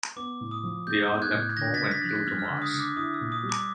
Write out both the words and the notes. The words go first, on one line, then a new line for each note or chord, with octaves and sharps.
They all left home and flew to Mars.
B3 D6
A2
D#6
F3
G#3 G6
B3
F#6 G#6
A2
D3 G#6 A#6
A6 B6
D3
A6 B6
F3
F#6 G#6
G#3 F6
F6
E6
D3
D#6
D3
D6
E4 D#6
E6
A#2
D#6
G3
D6